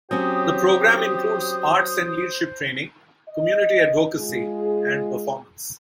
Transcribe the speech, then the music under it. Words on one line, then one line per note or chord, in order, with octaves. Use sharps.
The program includes arts and leadership training, community advocacy, and performance.
F#3 C4 C#4 G4 C5 D#6
D#5
G#3 F4 G#4